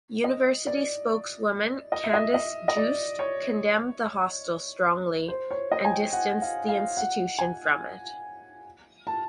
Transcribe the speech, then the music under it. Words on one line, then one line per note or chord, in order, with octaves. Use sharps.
University spokeswoman Candice Jooste condemned the hostel "strongly" and distanced the institution from it.
D#5
D5
D#5
E5
D#5
D#5
D#5
D5
C#5
C5
C#5
D#5
G#5
G5
F#5
F5
F5
F#5
G#5
A5